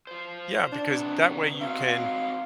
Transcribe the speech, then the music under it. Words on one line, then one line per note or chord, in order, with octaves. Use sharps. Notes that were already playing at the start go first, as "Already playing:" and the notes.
Yeah, because that way you can
C5 F5
D4
C3 B3
C4 D#4 F#4 F5